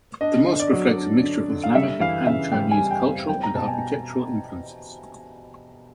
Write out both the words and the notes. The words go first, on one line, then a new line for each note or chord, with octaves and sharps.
The mosque reflects a mixture of Islamic and Han Chinese cultural and architectural influences.
D4 D#5
D3
D5
F#3
D4
D3
D3
F5
G3 E5
E3 F5
C#3 E5
G3 G5
G#5
G3
G5
C4
G3 G5
A#5
B2 A5
G#5